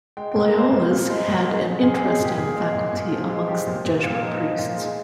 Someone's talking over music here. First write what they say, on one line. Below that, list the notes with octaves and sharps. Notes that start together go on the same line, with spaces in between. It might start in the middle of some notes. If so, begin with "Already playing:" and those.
Loyola's had an interesting faculty amongst the Jesuit Priests.
G#3 G5
A#2 G5
A#4
G#3 C5
A#2
A#2
G#3
A#2
G#3
G#3
A#2 G#4
G#3 G#4
G#4
A#2 G4
A#2 G#4
G#3
A#2
A#2
F3
G#3
F3 G4
A#2
A#2
A#2 F4
F4
F3 D#4
F3 D#4
A#2 F4
G#3